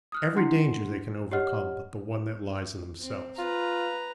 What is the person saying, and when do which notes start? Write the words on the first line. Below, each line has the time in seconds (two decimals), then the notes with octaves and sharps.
Every danger they can overcome but the one that lies in themselves.
0.12 D#6 F6 F#6
0.35 D4 E4 F#5 C6 C7 C#7
1.32 G4 C#5 D#5 F#5 F6
3.01 C4
3.38 F4 B4 A#5